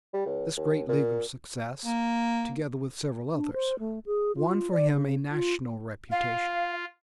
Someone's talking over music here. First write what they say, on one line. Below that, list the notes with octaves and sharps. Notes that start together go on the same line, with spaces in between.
This great legal success, together with several others, won for him a national reputation.
G3
C#2
D#2
A#2
A#3
D4
C5
A3
G#4
F4
D5
C#3
F4
F4 F5